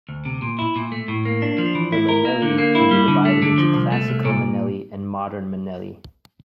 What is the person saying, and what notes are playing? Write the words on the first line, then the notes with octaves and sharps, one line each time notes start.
The manele can be divided into "classical manele" and "modern manele".
D2
C3
A#2
E4
A#2
A3
A2
A#3
D4
F3
E3
E4
A#4
A#3
D3
A#3
E4
G3
D3
A3
D3
F3
C2
A3
C2
A#2